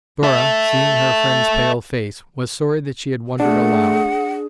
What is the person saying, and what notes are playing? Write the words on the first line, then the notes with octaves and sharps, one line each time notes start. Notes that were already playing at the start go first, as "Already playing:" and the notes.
Dora, seeing her friend's pale face, was sorry that she had wondered aloud.
A4 E5
A3 D4 G#4 F#5